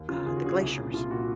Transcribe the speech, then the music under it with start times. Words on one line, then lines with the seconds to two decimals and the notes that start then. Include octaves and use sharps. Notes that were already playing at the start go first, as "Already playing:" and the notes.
uh, the glaciers.
Already playing: D#2
0.09 C#3 F4
0.26 D#2 G#4
0.36 F#4
0.43 C#3 G#4
0.60 C2
0.77 A#2
0.93 C2 F4
1.11 A#2 F#4